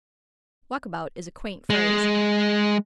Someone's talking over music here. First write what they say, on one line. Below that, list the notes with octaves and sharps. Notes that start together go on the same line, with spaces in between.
Walk about is a quaint phrase.
G#3